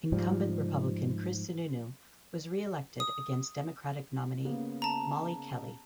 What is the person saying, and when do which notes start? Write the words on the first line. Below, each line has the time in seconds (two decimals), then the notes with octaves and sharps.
Incumbent Republican Chris Sununu was reelected against Democratic nominee Molly Kelly.
0.12 G#2 F3 G3
3.00 D#6
4.45 C#3 A#3 B3
4.82 A5 A#5